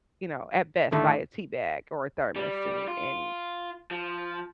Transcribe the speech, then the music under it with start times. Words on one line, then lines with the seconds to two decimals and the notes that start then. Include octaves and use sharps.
you know at best, buy a tea bag or a thermos and and
0.92 D#2 A2 D3 A3
2.36 G3
2.88 F4
3.91 F3